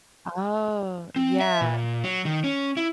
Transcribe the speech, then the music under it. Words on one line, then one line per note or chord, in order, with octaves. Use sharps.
Oh, yeah.
C4
E5
A#2
F#3
D#3
C#4
E4